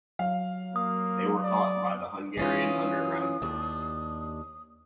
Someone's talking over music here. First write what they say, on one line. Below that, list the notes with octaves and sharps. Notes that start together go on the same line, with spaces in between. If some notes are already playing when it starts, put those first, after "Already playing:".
They were caught by the Hungarian underground police.
F#3 F5
A#3 D#6
D5
E3 C#4 F4 D#6
D#2 D4